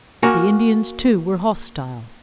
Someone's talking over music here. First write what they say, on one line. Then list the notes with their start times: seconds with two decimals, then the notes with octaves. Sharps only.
The Indians, too, were hostile.
0.23 A#3 F#4 A#4 F#5 G#5 A#5